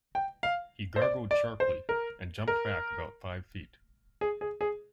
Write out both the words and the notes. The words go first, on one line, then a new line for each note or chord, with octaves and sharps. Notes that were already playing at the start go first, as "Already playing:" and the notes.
He gargled sharply, and jumped back about five feet.
G5
F5
C5
D5
D5
C5
A#4
A#4
G#4
G#4
G#4